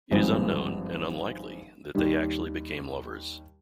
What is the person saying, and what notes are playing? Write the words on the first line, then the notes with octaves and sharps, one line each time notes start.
It is unknown, and unlikely, that they actually became lovers.
G#1 G2 F3 G#3 C4
D#2 D#3 G3